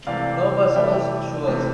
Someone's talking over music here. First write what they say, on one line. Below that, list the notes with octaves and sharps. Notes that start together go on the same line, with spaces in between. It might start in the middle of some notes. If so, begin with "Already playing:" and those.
No, but suppose she was.
C3 E3 A3 D5 F5
C3 E3 A3 E5 G5
C3 E3 A3